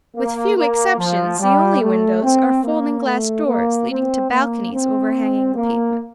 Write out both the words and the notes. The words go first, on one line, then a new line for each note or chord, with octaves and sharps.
With few exceptions, the only windows are folding glass doors leading to balconies overhanging the pavement.
A#3
A#3
F3
G3
A3
C4
A#3
A3
A#3
C4
A#3
C4
A#3